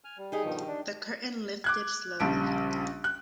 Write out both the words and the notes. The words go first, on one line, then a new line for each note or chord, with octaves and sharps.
The curtain lifted slowly.
G#5 F6
G3
D#4 G4 G#4 D#5
G2 B2 D#3 F3
D4
D6 F#6 G#6
A#1 C#3 G3 A5 D7
F#6